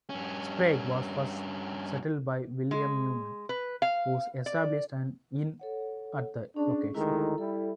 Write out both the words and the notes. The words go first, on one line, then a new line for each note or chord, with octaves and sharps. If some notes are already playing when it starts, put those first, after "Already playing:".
Sprague was first settled by William Newman, who established an inn at the location.
G2 C#4
G#3
B4
F5
D5
A4 C#5 F#5
C#4 D4 G#4
D2 D#3 G#3 E4 A4 A#5
G3 E4 A4